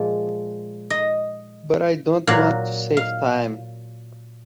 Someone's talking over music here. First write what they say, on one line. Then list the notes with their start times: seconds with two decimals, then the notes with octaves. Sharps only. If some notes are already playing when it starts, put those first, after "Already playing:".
But I don't want to save time.
Already playing: A#2 F3 G#3
0.90 D#5
2.27 A#2 F#3 F5
2.97 F5